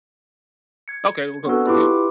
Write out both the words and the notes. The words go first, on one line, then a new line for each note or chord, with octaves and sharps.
okay, we'll go, okay,
G#6 C#7
B3 C4 D4 F#4 A4 B4
E4 F4 G4 B4 C6 D6